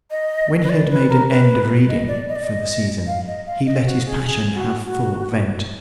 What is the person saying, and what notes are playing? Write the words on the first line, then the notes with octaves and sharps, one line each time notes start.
When he had made an end of reading,--for the season,--he let his passion have full vent.
D#5
B4
D5
B4
A#4
B4
D#5
D5
D#5
D5
D#5
F5
D#5
F5
D#5
F#4
G#4
G#4
F#4
F#4